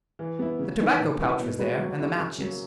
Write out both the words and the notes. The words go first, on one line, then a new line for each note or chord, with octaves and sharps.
The tobacco-pouch was there, and the matches.
E3
B3 E4
C#3
E3 B3 D#4
A#2
A#3 C#4 E4 B4
B2
G#3 B3 F#4 B4
F#3
C#4 E4 G#4
F#2
C#3 F#3 A#3